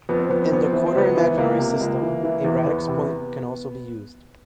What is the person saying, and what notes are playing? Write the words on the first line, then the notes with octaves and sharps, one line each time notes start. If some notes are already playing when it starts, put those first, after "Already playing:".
In the quater-imaginary system a radix point can also be used.
F2 B3
C4
F2 B3
C4
F2 B3
C4
E3 B3
C4
C#2 B3
E3
C#2 A#3
C3
C#2
E3
E3
E2
E2 B3
C3